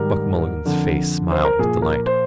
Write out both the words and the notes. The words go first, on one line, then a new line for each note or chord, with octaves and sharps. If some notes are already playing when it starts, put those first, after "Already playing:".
Buck Mulligan's face smiled with delight.
Already playing: G#2 D#3 G3 A#4
F2 D3 F3
C5
A#4
A#2 F3 G#4
A#4
C5